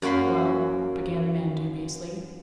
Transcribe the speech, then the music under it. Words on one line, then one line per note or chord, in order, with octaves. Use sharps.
"Well--" began the man dubiously.
F#2 A#3 F#4 B5 C6